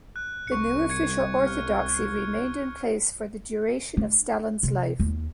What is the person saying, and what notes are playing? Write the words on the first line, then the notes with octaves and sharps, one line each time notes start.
This new official orthodoxy remained in place for the duration of Stalin's life.
F#6
C2 C#6 C#7
G#6 C#7
F6
D4
C3
D#2